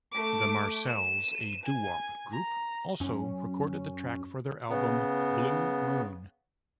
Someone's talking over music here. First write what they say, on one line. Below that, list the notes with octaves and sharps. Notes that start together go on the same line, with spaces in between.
The Marcels, a doo-wop group, also recorded the track for their album "Blue Moon".
A3 D6
D#7 E7
G#5
A#5
F#2 C#4
C#3 B3